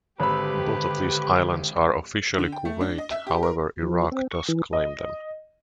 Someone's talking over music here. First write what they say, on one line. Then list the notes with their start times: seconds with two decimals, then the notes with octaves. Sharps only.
Both of these islands are officially Kuwait, however Iraq does claim them.
0.20 G#1 D3 G4 B4 B5 E6
2.38 D3
2.52 G5
2.65 A3
2.81 D4
2.98 D#5
3.11 E5
3.27 G4
3.43 A#4
3.83 F3
4.12 C4
4.31 C#6
4.48 E3
4.73 D#5